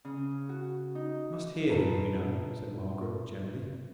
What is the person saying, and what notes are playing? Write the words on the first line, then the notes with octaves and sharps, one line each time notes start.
"I must hear him, you know," said Margaret, gently.
C#3
F#4
D#4
A#2 D4 F4 B4 A5 A#5